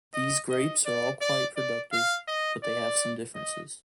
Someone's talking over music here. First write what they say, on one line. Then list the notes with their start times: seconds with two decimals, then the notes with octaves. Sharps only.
These grapes are all quite productive, but they have some differences.
0.14 D#5
0.50 D#5
0.86 D5
1.21 D5
1.56 D5
1.92 F5
2.28 D#5
2.63 D5
3.35 D#5